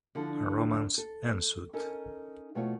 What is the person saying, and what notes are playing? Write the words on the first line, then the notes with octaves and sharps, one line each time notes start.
A romance ensued.
D3 F3 D4 E4 A4
A4
C#4 D#4 A4 A#4
F2 B2 A3 E4 F4 C#5